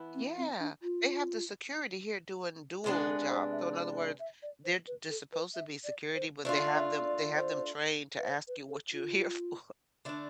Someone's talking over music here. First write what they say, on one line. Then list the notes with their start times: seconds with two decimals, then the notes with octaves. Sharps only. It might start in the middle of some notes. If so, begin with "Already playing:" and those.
Yeah. They have the security here doing dual job. So in other words, they're j just supposed to be security, but they have them they have them trained to ask you what you're here for.
Already playing: E3 B3 E4
0.15 C4
0.37 C4
0.60 D4
0.82 F4
2.84 C3 G#3 B3 D4 G#4
3.07 A4
3.29 C5
3.52 E5
3.75 D5
3.98 E5
4.20 E5
4.43 D5
4.64 C5
4.87 B4
5.10 A4
5.33 B4
5.54 E5
5.84 D5
6.15 C5
6.45 A3 D4 F4 D5
6.74 E5
7.05 D5
7.35 C5
8.18 B4
8.25 C5
8.48 B4
8.69 A4
8.93 F4
10.05 D3 A3 D4